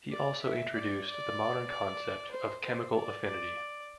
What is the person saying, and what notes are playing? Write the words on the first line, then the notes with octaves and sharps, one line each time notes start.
He also introduced the modern concept of chemical affinity.
D5
E5
D5
D5
D5
C5
C5
D5
D5